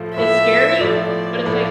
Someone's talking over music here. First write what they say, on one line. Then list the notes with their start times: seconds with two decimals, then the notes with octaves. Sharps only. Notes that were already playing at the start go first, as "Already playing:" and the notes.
it's scary, but it's, like,
Already playing: A2 F3 A3
0.16 A2 F3 A3 E5
0.81 A2 F3 A3 D5
1.13 D5
1.45 A2 F3 A3